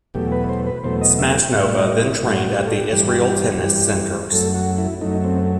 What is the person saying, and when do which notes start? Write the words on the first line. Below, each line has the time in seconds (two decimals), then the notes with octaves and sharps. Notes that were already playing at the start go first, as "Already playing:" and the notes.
Smashnova then trained at the Israel Tennis Centers.
0.15 E2 B2 F#3 A3 G4
0.32 B4
0.49 C5
0.67 B4
0.84 E2 B2 F#3 A3 C5
1.01 D#5
1.19 E5
1.36 G5
1.54 A2 G3 E5
1.77 D#5
2.00 E4
2.23 A2 G3 F#4
2.58 G4
2.68 A4
2.77 G4
2.92 G2 E3 G3 G4
3.62 G2 E3 G3
4.32 F#2 F#3 A3 A4
4.55 F#4
4.78 E4
5.01 F#2 F#3 A3 D#4
5.24 C4